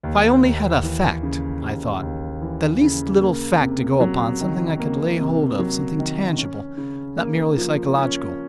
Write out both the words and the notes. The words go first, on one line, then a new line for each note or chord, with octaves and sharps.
If I only had a fact, I thought, the least little fact to go upon, something I could lay hold of, something tangible, not merely psychological.
D#2
D#2
E3
C#3
D#2
D#2
E3
C#3
A#3
C3
F#3
D#3
A#3
C3
F#3
D#3
C#4
C#3
A#3
F3
C#4